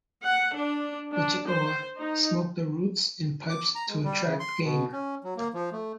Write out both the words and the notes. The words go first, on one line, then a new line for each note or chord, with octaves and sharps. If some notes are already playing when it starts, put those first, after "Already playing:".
The Chippewa smoke the roots in pipes to attract game.
F#5
D4
D4
C5
D#4
D6
A#5
G#3
G3
C#3
C6
B2
C#4
F#3
A#3
F3
A3